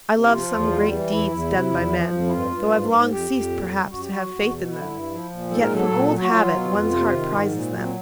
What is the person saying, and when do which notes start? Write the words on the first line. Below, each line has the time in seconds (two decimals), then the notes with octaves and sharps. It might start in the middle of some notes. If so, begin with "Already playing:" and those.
I love some great deeds done by men, though I've long ceased perhaps to have faith in them, yet from old habit one's heart prizes them.
0.10 C3
0.24 E4
0.31 F3 F4
0.51 E2
0.71 G3
0.91 E3
1.10 E2 E4
1.31 E2
1.51 C3
1.70 E2
1.91 F3
2.11 F2
2.27 E4
2.31 G2 F4
2.51 G2
2.70 G#2
2.91 G#2
3.11 F2 G4
3.31 F2
3.50 A#2
3.71 G3
3.91 F#2 F#4
4.01 G4
4.10 F#3 F#4
4.31 E2
4.50 B2
4.71 D3 E4
4.91 G2
5.11 F3
5.30 A#2
5.50 G#2 A4
5.61 A#4
5.71 F#3 A4
5.91 A#2
6.11 F#3
6.22 F#4
6.30 F#3 F4
6.51 B2
6.70 F2
6.91 C3
7.11 D#3
7.31 G#2
7.51 A#2
7.71 F#3
7.82 C4